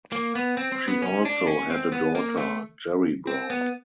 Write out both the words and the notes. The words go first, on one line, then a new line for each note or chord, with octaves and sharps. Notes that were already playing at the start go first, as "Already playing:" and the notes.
She also had a daughter, Jeri Brown.
A#3
B3
C4
C4
B3
C#4
D4
C#4
C4
B3
A#3
A3
C4
B3